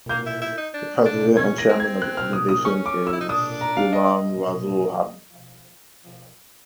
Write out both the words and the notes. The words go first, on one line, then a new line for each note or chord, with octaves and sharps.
The president and chairman of the organisation is "Ghulam Rasool Hami".
A#3 G6
E4
E4
D#4
D4
D4
C#4 G#6
A#6
C4
G#6
F#6
F6
D#6
D#6
C#4 C#6
D6
E6
E4
D#4
D4 D#6
A#5
F5
D#5